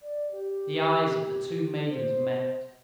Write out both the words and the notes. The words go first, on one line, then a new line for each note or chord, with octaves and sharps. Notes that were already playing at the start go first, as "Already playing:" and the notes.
The eyes of the two maidens met.
D5
G4
C5